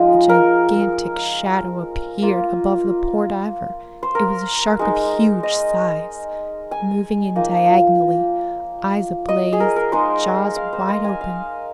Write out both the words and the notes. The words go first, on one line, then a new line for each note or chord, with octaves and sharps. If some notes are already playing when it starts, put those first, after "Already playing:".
A gigantic shadow appeared above the poor diver. It was a shark of huge size, moving in diagonally, eyes ablaze, jaws wide open!
Already playing: F3 G#3 D#4
A#4
A#3 F4
C5
A#4
G#3 D#4
D#5
G#5
F3 A#3 D#4
D#5
G#4
A#4
A#4
G#3 D#4 C5
F5
C5
D#5
G#5
F5